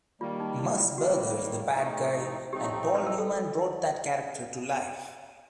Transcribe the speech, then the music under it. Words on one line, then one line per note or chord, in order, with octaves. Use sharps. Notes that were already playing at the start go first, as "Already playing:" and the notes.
Mussburger is the bad guy and Paul Newman brought that character to life.
D#3 G3 A#3 F4
D#4
E4
F4
D#3 G3 A#3 F#4
A2 F3 A3 C4 D#4
A2 F3 A3 C4 D#4 G4
B4
A#4
A4